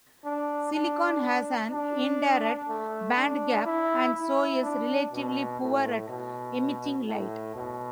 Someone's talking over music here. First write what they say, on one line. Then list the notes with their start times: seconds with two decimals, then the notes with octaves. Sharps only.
Silicon has an indirect bandgap and so is relatively poor at emitting light.
0.24 D4
0.73 D4
1.71 D4
2.68 A3
3.17 D4
3.65 E4
4.14 E4
4.63 D4
5.13 B2
5.61 A2
6.09 B2
7.07 A2
7.55 B2